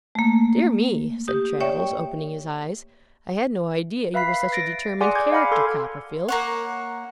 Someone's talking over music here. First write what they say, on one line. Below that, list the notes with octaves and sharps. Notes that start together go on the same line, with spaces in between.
'Dear me,' said Traddles, opening his eyes, 'I had no idea you were such a determined character, Copperfield!'
A3 A#3
G4 D#6
C#5 D5 E5 G5 C#6
B4 E5 F5 B5 B6 C7
A6 A#6 D7
G#4 D5 F#5 G#5 C6 D6
D6 G6 G#6
F5 F#5 G#5 B5 D6 F6
A4 C6 F6 G#6
A#3 C#5 F#5